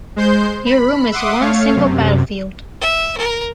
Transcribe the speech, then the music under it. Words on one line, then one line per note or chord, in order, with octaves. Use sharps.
Your room is one single battlefield.
G#3 C5 C6 G6
B5
E5 F#5 C6 D6 D#6
A3 C#5 F5
F#2 C3
E5
A#4